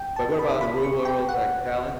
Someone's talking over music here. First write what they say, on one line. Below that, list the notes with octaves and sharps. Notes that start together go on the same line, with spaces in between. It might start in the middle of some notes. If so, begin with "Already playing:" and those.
But what about The Real World, like, Challenge?
Already playing: G5
A5
B5
B5
C#6
G5
F#5